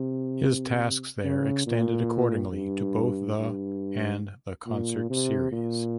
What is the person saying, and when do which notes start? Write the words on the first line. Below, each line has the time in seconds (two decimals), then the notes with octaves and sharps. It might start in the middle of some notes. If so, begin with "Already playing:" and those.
His tasks there extended accordingly to both the and the concert series.
Already playing: C3
1.24 C#3
1.67 A#2
2.52 G2
3.39 G2
4.66 A#2
5.10 C3
5.52 A#2